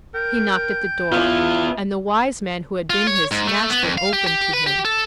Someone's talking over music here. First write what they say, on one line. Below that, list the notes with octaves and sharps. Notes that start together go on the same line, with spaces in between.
He knocked at the door, and the wise man who had been his master opened to him.
A#4 G5
B3 E4 F4
F4
C#5
G#2
A3
B3
F2
F5
G4
G4
B4
G4
A4